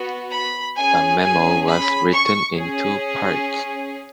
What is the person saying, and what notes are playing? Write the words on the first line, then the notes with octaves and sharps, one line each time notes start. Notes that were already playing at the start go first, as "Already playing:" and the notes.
The memo was written in two parts.
Already playing: B3 F#4
B5
C#4 G#4 G#5
G#5
B5
C#6
C#4 G#4